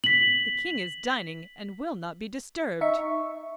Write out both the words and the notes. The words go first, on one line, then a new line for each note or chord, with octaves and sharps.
The King is dining, and will not be disturbed.'
B6 F#7
D#4 E5 C#6